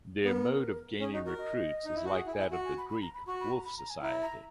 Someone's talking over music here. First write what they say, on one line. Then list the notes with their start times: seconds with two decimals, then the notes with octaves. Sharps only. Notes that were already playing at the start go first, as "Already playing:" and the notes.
Their mode of gaining recruits is like that of the Greek Wolf Society.
0.25 B3 A#4
1.00 C#4 G#4
1.14 D#4 F#4
1.25 F#4 A#4
1.38 D#5
1.85 D#4
1.95 E4
2.05 F#4
2.14 G#4 F#5
2.27 E4
2.33 G#5
2.39 E4
2.51 F#4 F#5
2.65 G#5
2.78 B5
2.90 B5
3.02 A#5
3.14 B5
3.27 F#4 C#6
3.40 B5
3.52 A#5
3.65 B5
3.78 A#5
3.90 G#5
4.03 E4 A#5
4.22 A#5